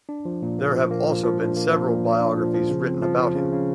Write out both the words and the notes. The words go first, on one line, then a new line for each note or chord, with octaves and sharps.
There have also been several biographies written about him.
D4
F3
A#2
A#3
F3
A#3
F3
F3
D4
A#3
F3
A#2
A#2
D4
F3
F3
C#3
C4
F3
F3
C#3
C#3